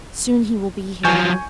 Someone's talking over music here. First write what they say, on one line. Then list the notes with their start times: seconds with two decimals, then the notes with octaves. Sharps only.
Soon he will be here.
1.05 F3 F#3 G#5 C#6 G6